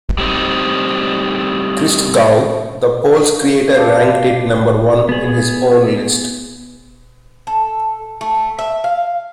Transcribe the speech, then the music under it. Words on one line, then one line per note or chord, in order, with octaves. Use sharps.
Christgau, the poll's creator, ranked it number one in his own list.
G3 A3 C4 D#4
B4 D5 F5 A5
B3 G#4
A4
A3
E5
F5